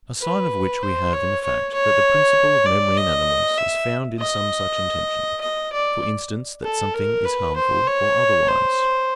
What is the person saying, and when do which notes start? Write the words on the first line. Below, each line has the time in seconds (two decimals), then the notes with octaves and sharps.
A sign of which we have in the fact that the principle of memory in animals is found in some such intention, for instance, that something is harmful or otherwise.
0.21 B4
0.83 C5
1.13 C#5
1.44 C#5
1.74 C#5
2.66 D5
2.97 D#5
3.58 E5
4.20 D#5
5.41 D#5
5.73 D5
6.64 A4
6.94 A#4
7.25 B4
7.56 C5
7.87 C#5
8.48 C5